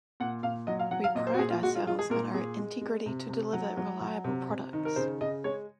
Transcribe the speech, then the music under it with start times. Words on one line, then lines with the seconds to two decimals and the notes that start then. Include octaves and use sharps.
We pride ourselves on our integrity to deliver reliable products.
0.20 A#2 F#5
0.43 A#2 F5
0.67 F#3 D#5
0.79 F5
0.91 F#3 F#5
1.04 F5
1.15 A#2 D#5
1.27 C5
1.34 F#4
1.39 A#2 G#4
1.50 F4
1.62 G#3 F#4
1.75 F4
1.87 G#3 F4
1.99 G#4
2.10 A#2 A#4
2.34 A#2 G#4
2.59 G#3
2.81 G#3
3.06 C3
3.29 C3
3.53 F#3
3.77 F#3
4.01 F#3
4.24 C3
4.49 C3
4.73 D#3
4.85 A#4
4.96 C#3 C5
5.21 C#3 D#5
5.44 G#3 C#5